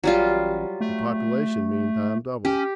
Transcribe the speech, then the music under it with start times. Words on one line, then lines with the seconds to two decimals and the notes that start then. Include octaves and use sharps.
The population meantime doubled.
0.04 A1 F#3 G3 F4
0.81 A3
2.45 C#4 G4